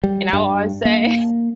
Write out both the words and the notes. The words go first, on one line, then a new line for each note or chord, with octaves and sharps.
And I will always say
G3
G2
A#3